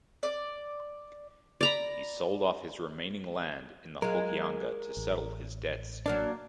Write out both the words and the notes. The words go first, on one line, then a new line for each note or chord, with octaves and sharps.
He sold off his remaining land in the Hokianga to settle his debts.
D5
D5 A#5 B5
F#3 G#3 F4 A#4
A1
F#3 A#3 D4 D5